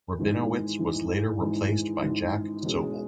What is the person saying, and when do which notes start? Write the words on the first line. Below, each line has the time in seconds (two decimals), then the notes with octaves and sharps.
Rabinowitz was later replaced by Jack Soble.
0.19 G#1 G#2 E3
0.79 G#1 G#2 E3
1.40 G#1 G#2 E3
2.01 G#1 G#2 E3
2.63 E2 B2 G#3 C#4